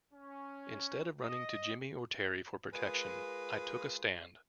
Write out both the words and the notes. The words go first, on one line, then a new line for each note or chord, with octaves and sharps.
Instead of running to Jimmy or Terry for protection, I took a stand.
C#4
D#5
G#3 F4 G#4 A#4 B4